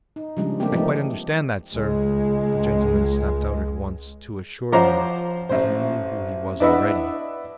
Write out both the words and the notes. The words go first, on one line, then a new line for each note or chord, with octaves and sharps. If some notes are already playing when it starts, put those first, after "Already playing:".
"I quite understand that, sir," the gentleman snapped out at once to assure him that he knew who he was already.
D#4
C#3 F3 G3 G#3 D4
G3 A3 A#3 C4 D4 G4
E3 F3 A3 A#3 D#4
C#2 G#3
F3 C#4 C5 F#5 A#5 D6
A1 C5
D4 E4 B4 D#5 E5 F#5